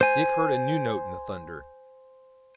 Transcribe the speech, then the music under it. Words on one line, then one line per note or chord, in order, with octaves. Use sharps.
Dick heard a new note in the thunder.
C5 G#5